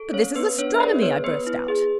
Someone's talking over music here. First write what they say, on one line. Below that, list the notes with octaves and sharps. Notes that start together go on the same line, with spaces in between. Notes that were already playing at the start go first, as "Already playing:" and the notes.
'But this is astronomy,' I burst out.
Already playing: A4
C#4 C#5
B3 B4
D4 C#5
E5
G#4 B4 D5
B3 C#5
B3 B4
E4
G#4